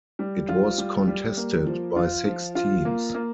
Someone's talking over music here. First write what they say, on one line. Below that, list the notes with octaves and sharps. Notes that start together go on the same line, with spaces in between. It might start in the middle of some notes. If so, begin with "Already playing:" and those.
It was contested by six teams.
G3
F4
G3
G3
A#3
F3
F4
F3
F4
A#3
A#3